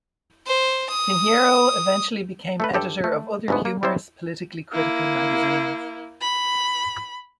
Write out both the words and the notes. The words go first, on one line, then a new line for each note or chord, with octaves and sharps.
Pinheiro eventually became editor of other humorous, politically critical magazines.
C5
D#6
A3 A4 B4
G2 G4 A4
A3
G1 D2 G#2 B2 B3
A#3
G3 C4 E4 C5 E5
A#3 E4
B5